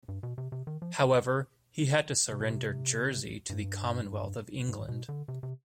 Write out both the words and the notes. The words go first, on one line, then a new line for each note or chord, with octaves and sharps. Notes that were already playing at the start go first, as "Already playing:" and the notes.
However, he had to surrender Jersey to the Commonwealth of England.
G2
B2
C3
C3
D#3
F3
C3
B2
C3
G2
G#2
B2
D3
C3
C3